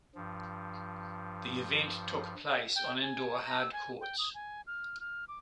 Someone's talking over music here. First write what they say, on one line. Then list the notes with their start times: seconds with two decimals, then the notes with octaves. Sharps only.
The event took place on indoor hard courts.
0.15 G2 F3
2.75 G5
3.02 G#5
3.44 A#5
3.60 E6
3.73 G#5
4.01 G5
4.18 D#6
4.34 G#5
4.67 F6
5.00 F6
5.28 D6